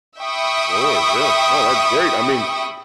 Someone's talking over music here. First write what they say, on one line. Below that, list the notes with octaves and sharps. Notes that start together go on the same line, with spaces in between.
Sure, yeah, no, that's great, I mean,
E5 G5 B5 C#6 D#6